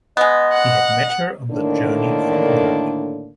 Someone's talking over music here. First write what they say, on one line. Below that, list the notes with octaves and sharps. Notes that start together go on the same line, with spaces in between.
He had met her on the journey from England.
G#3 B3 D#5
F#5
A2 D3 D#3 A#3 D4